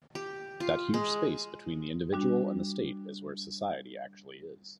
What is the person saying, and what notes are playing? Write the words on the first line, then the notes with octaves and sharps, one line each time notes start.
That huge space between the individual and the state is where society actually is.
G4
F4
G#3
G3 D4 F#4